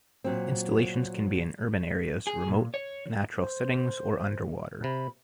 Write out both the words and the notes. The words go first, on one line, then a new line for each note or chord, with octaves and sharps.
Installations can be in urban areas, remote natural settings, or underwater.
A#2 F#3 C4
G#4
A#2
C#5
C5
C3 B5